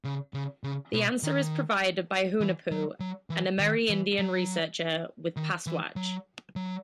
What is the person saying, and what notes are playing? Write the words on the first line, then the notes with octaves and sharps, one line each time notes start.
The answer is provided by Hunahpu, an Amerindian researcher with Pastwatch.
C#3
C#3
C#3
B2
D#3
E3
F#3
F#3
E3
D#3
E3
F#3
D#3
E3
F#3
F#3